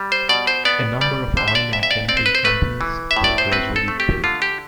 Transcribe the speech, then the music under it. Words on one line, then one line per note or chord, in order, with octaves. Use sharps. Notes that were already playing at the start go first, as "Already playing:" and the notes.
A number of oil and chemical companies were gradually built.
Already playing: G3
C5
B2 D5
C5
B3 D5
G3 D5
D3 C5
E5
D5
F2 E5
E5
D5
C4 D5
C5
B4
C5
A3 B4
E3
E5
A2
D5
C5
C4 B4
A4
A3
G4
D3 F4
G4